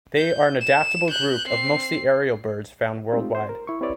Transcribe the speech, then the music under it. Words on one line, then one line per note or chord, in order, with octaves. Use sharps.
They are an adaptable group of mostly aerial birds found worldwide.
G6
E7
F#6 G6
C4 C7
G#3 A3 C4 D#4 F4 G4
C5
A#4
E4 C#6
C4 E4 G4 B4 C#5 D5